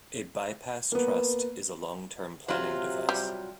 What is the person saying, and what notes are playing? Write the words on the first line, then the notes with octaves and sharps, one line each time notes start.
A bypass trust is a long-term planning device.
A#3 B3
C3 F#3 F4
G3